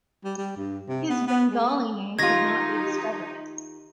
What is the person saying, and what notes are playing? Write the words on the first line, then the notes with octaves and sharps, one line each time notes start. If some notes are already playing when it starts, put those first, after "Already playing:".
His Bengali name could not be discovered.
G3
G3
G2
C3
B3
B3
G#3
B3
D#3 D#4 F4 G4 G#6 A#6